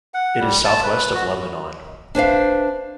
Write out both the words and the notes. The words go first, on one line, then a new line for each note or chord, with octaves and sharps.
It is southwest of Lebanon.
F#5
G3
A5
B4
F#4
D4 B4 C5 F5